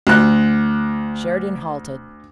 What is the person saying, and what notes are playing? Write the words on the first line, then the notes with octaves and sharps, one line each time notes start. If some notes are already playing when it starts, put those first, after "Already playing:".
Sheridan halted.
D2 F#6